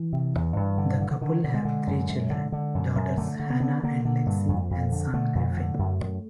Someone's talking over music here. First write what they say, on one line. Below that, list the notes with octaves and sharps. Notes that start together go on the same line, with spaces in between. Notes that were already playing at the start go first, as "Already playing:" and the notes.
The couple have three children; daughters Hannah and Lexie and son Griffin.
Already playing: E3
C3
E2
G2
D3
D3
D3
D3 D#3
D3
G#3
D3
F#2
F#2
D3
D3
F#2
F#2
D3 A3
D3
B3
D3
D3 A#3
D3
G2
F2
F2
D3
D3 A3
F2
D3
F#2
F#2